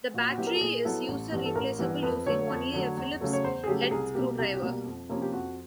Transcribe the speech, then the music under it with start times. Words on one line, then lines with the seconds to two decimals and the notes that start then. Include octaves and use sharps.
The battery is user-replaceable using only a Phillips-head screwdriver.
0.14 A#2 F#4
0.30 F#4
0.38 F#3 B3 E4 G4
0.47 A#4
0.54 A4
0.61 A#2 G#4
0.85 F#3 B3 E4 A4
1.08 A1
1.32 G2 E3 G3 B3
1.45 A4
1.55 A1 A#4
1.79 G2 E3 G3 B3
2.02 F2 B4
2.26 D3 F#3 A3 C#5
2.50 F2
2.73 D3 F#3 A3
2.97 E2
3.21 C#3 F#3 A3
3.33 C#5
3.44 E2 C5
3.64 G#4
3.68 C#3 F#3 A3 G4
3.80 G4
3.91 C2 G#4
4.14 B2 G3 A#3 G4
4.39 C2 G4
4.54 G4
4.62 B2 G3 A#3
4.86 F2
5.09 C3 F3 A#3 C#4
5.22 G4
5.33 F2 F#4